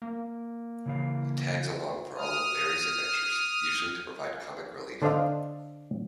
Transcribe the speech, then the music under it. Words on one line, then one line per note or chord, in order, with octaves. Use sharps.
He tags along for all of Barry's adventures, usually to provide comic relief.
A#3
C#3 E3 F5
D#6 F6
D3 D4 C5 D#5 F5